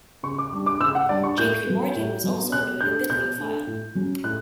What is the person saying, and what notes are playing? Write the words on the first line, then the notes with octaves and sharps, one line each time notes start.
J. P. Morgan was also a noted bibliophile.
C#3 C#6
D6
G3 D4
D6
C#3 E6
F#5
G3 D4 D5
C#6
A2 G6
F#3 B3
A2
F#3 B3
B2 F#6
A3 D4 G6
B2 G6
A3 D4
A2
F#3 C#4
A2 F#6